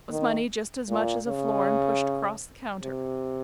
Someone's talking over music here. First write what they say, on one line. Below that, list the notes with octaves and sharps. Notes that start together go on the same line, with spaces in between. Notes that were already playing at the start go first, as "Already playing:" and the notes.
That was money just as much as a florin pushed across the counter.
D#3
A#2
C#3
C3